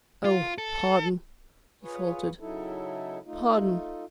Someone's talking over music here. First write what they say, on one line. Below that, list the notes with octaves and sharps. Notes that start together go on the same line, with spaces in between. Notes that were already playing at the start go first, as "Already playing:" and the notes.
"Oh! pardon!" he faltered, "pardon!"
F4
A4
F4 G#4 B4 C#5
C#3 F#3 D#4 E4 A4
A3 D#4 F4